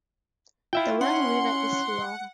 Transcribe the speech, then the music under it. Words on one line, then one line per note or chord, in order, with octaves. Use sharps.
The Wang River is long.
E4 F4 E5 G5
C#4 F#5 C6